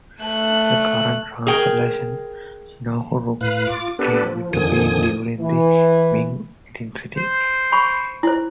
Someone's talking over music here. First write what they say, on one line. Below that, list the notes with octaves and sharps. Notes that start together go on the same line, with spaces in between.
The current transliteration Niohuru came into being during the Ming dynasty.
A3 F#6
G#4 A#4 G5
A2 B4 F5 F#6
F4 D6
B3 D4 G4 A4 B4
F3
F2 D3 D#3 F3 G#5 D#6
E3
C5
B5 C#6
E4 C5